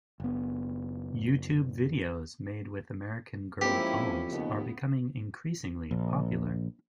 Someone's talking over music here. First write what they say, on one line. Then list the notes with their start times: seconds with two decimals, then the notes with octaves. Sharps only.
YouTube videos made with American Girl Dolls are becoming increasingly popular.
0.20 F#1 B3
3.61 F2 G#3 A#3 C4 C#4 E4 G4
4.29 D#2 C#3 B3
5.91 A#1